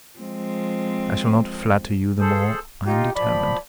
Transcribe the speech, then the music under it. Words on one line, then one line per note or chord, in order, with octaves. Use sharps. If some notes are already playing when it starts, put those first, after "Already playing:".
I shall not flatter you the more, I am determined.
F3 G#3 C4
G#4 A4 C5
D#4 F4 G4
F3 D5 B5